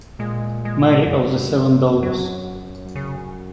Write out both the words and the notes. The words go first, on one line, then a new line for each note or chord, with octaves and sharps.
Mary of the Seven Dolors.
A#2 G#3
G#3
E2
F#2
F#2 F#3
C#3